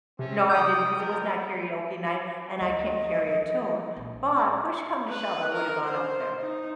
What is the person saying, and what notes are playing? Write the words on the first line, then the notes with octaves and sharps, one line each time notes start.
No, I didn't 'cause it was not karaoke night, and I can't carry a tune, but push come to shove, I woulda gone up there.
C3 C4 C#4 A4
G5 D#6 G6
B3 A#4
D2 D#4 D#5
F3
F3 G3
A#1
B4
A#4
C5
D#4